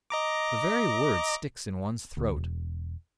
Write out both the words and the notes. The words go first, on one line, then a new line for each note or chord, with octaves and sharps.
The very word sticks in one's throat.
D#5 A#5 D6
D2
E1